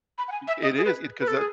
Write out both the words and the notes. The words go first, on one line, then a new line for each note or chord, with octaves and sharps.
It is it 'cause the
B5
F#5
G#5
E5
D#5
G#4
B4
B4
A4
G#4